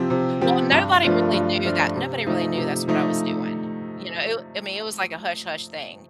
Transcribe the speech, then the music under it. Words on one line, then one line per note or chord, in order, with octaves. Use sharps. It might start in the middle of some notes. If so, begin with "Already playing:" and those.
Well, nobody really knew that. Nobody really knew that's what I was doing. You know, it w I mean, it was like a hush-hush thing.
Already playing: C3 F3 C4 G4
C3
F3 C4 G4
G2
F3 A3 D4 F4
G2
F3 A3 D4 F4
C3
F3 A3 D#4
C3
F3 A3 D#4